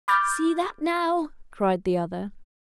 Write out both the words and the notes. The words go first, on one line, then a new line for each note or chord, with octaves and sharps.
'See that now!' cried the other.
B5 D6 F6 G6 A6